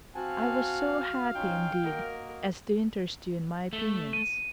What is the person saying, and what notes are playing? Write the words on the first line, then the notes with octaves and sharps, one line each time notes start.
I was so happy indeed as to interest you in my opinions....
C4 F#4 F5 G#5 A5
C#4 D#4 F4 G5
A#3 F#4 A#4 D#5
A3
D#7